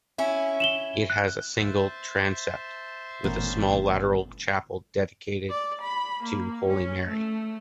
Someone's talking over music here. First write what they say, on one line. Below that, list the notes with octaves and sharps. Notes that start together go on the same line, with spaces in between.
It has a single transept, with a small lateral chapel dedicated to Holy Mary.
C#4 E4
E7 F#7 G7
F#6
B4 C5 E5 A5
G1 A#2 E3 A3 B3 C#4 A#4
D5
B5
A#3
C#4
A3